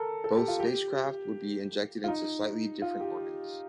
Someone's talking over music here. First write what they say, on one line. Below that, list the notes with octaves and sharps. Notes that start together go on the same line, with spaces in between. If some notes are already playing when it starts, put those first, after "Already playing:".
Both spacecraft would be injected into slightly different orbits.
Already playing: A4 A#4
A4
G4
F4
G4
F4
D#4
F4
G4